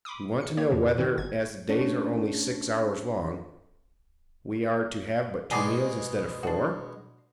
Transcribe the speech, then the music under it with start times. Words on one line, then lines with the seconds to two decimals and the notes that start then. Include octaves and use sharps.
"We want to know whether, as the days are only six hours long, we are to have but two meals instead of four?"
0.05 B5 C6 D6 D#6
0.41 C#7
0.57 A#3 G4 C#5 G#6
0.70 F2 A2 C#3 F3
0.97 A2 D#3 C4 F#4
1.18 G1 G#6
1.69 A3 C#4 D4
5.51 B2 G#3 G#4 C#5 D5
6.43 D4 F#4